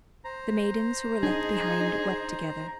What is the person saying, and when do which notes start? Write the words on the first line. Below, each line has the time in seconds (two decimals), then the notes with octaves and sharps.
The maidens who were left behind wept together.
0.24 C5 A#5
1.23 D4 D#4 G#4